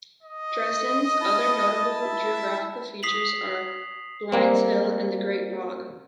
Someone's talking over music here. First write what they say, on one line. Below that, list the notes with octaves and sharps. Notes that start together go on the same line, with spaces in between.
Dresden's other notable geographical features are Blinn's Hill and The Great Bog.
D#5
E4 A5
E5
D#6 B6 C7 F7 F#7
G3 A#3 C4